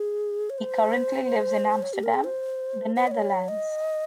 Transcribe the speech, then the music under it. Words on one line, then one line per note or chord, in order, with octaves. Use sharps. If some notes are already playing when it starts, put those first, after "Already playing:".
He currently lives in Amsterdam, the Netherlands.
Already playing: G#4
C#5
C5
C#5
G4
A#4
G#4
C5
C5
D#5
C#5
D#5